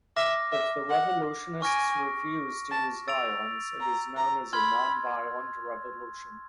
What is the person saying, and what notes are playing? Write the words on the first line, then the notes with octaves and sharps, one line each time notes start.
If the revolutionists refuse to use violence, it is known as a nonviolent revolution.
E5 D6 F6 A#6
E5
F#5
G#5 C#6 F6 A#6 D7
A5
E6 A6 D7 F7
A#5
A#5
B5 C6 F6 G#6